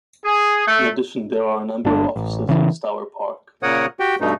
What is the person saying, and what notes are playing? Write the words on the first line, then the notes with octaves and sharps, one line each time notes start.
In addition there are a number of offices in Stour Park.
G#4
A3
G1 D4
A1
C#3 E3
A#2 C#3 A#4 C#5 F#5 D#6
F#4 G4 G5
G2 B2 A3 D#4